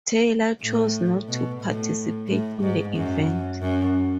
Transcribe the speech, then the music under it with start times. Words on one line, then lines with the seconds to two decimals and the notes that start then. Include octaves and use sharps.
Taylor chose not to participate in the event.
0.62 A2
1.28 B2
1.61 A2
2.28 A2
2.61 G#2
2.95 F#2
3.61 F#2